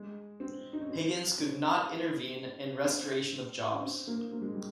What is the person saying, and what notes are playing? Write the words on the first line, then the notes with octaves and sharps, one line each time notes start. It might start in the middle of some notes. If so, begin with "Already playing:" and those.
Higgins could not intervene in restoration of jobs.
Already playing: G#3
C4
D#4
C#4
C4
C#4
C4
C#4
C4
A#3
A#3
G#3
G3